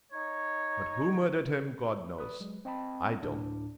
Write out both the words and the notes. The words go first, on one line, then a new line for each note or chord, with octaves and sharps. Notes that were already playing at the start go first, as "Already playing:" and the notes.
But who murdered him, God knows--I don't!
D#4 C#5
B4 D5 D#6
F#3 G#3
C4 D#5 G5 A5 B5
D2 A2 D4